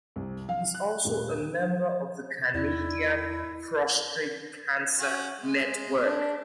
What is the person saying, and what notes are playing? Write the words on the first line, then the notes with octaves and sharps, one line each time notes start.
He is also a member of the Canadian Prostate Cancer Network.
C2
F5
F#6
D#1
E2 E4 D5 G#6
C#4 F#4
G#3
D4